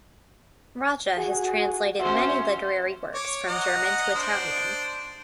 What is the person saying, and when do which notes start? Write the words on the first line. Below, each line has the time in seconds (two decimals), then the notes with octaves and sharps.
Raja has translated many literary works from German to Italian.
1.17 F#4 G#4
1.99 C#4 F#4 C5 E5
3.15 C#5 D6
3.48 D#5 F#5 A#5
4.15 D4 C5